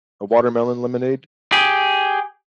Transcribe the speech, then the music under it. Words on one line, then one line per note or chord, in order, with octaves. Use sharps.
a watermelon lemonade.
G4 G#4